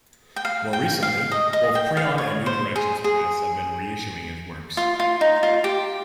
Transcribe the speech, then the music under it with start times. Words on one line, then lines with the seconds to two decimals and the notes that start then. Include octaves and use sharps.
More recently, both Prion and New Directions Press have been reissuing his works.
0.36 G5
0.45 F5
0.73 G5
1.03 F5
1.32 D#5
1.53 D#5
1.75 G5
1.97 F5
2.18 C#5
2.46 C5
2.76 G#4
3.04 G#4
4.77 F4
5.00 F4
5.21 D#4
5.43 F4
5.64 G4